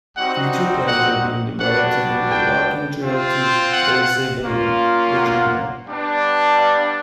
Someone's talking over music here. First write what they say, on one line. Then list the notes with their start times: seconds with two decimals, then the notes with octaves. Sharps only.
Future plans are being developed to link the walking trail to Boissevain, Virginia.
0.17 G3 C4 D#4 F#4 F#5
0.88 F#5
1.60 G3 B3 D4 F#4 F#5
2.31 G5
3.03 C4 F4
3.73 F#5
4.45 A#3 C#4 F4
5.16 F#5
5.87 G3 B3 D4
6.59 F5